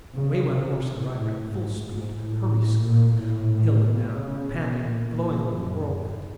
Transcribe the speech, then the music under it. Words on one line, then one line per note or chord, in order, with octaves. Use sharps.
And away went horse and rider at full speed,--hurry-scurry,--up hill and down,--panting and blowing like a whirlwind.
C#3
C3
A2
G#2
G#2
A2
A#2
A2
B2
C#3
B2
A#2
F#2